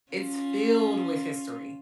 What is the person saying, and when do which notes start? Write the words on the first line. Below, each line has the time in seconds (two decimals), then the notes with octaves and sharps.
it's filled with history.
0.12 C#4 F4